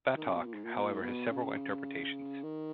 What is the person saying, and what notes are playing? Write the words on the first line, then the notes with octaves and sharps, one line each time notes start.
"Batok", however, has several interpretations.
D#3
C#3
B2
A#2
G#2
A#2
B2
A#2
G#2
B2
C#3
D#3